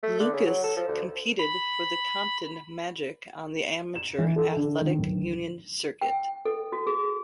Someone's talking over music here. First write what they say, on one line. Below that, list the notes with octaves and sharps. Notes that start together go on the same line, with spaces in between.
Lucas competed for the Compton Magic on the Amateur Athletic Union circuit.
A3
D3
C#3
F#3
A4
F3
D2
B5
E7
E3
A4
D3
D#3
D1
G5
A4
F#4
G#4